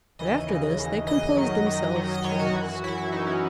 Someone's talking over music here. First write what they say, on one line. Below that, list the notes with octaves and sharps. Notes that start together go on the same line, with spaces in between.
And after this they composed themselves to rest.
D#2 C#3 E3 D#5
D#2 C#3 E3
D#2 C#3 E3
D#2 C#3 E3 D#5
F#2 D#3 F#3
F#2 D#3 F#3
F#2 D#3 F#3
D#5
F#2 D#3 F#3 C#5
F#4
F#2 E3
F#2 E3 E4
E4
F#2 E3 D#4
C#4